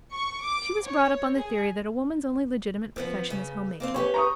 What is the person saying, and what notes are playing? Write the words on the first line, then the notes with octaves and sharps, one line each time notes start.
She was brought up on the theory that a woman's only legitimate profession is homemaking.
C#6
D6
C#5
G#4
F3 B3 C4
C#3
A#3 C4 F5
C#4 G4 B4 C#5
A#5 C#6 D#6